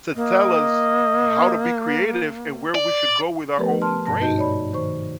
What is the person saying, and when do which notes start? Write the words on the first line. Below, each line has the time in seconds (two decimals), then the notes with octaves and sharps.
to tell us how to be creative and where we should go with our own brain.
0.16 A#3 D#5
2.75 D5
3.58 F3 A3 B3 G4 A#4 B4
3.82 A5 C6 F6
4.06 G2 B2 A5 A#6
4.20 G#2 D#4 F#4 D#5 A5 G6
4.38 C#5 D5 B5
4.74 D#3 C5 C#6